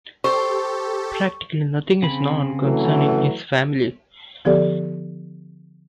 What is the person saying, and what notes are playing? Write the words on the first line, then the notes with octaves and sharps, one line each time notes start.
Practically nothing is known concerning his family.
G4 A4 C5 C#6
C#3 C4 B5
E3 F#3 A3
D3 F3 B3 G4 A4 D5